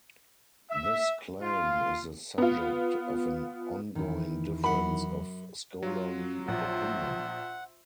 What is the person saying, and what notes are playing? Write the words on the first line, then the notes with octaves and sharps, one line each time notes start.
This claim is the subject of an ongoing difference of scholarly opinion.
E5
F4
B3 F4
E2 D#3 E4
F#2 F#5 B5
F#3 F4
A#1 C5 E5 F#5